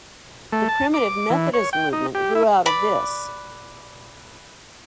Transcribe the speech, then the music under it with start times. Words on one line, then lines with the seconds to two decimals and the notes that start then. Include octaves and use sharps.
The Primitive Methodist movement grew out of this..
0.52 A3
0.68 A5
0.94 D6
1.30 E3
1.54 C#5
1.73 G5
1.93 D#4
2.15 G4
2.35 E4
2.66 B4 D5 B5